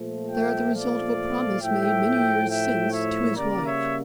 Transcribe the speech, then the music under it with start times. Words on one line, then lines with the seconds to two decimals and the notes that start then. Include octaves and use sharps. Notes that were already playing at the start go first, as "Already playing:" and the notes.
They are the result of a promise made, many years since, to his wife.
Already playing: A#2 F3 A3
0.31 E5 G5
0.74 D5 F5
1.61 A2 F3 A3 E5 G5
2.48 E5 G5
2.91 C#5 E5
3.34 C#3 G3 A#3 A#4 D5
3.64 C#5 E5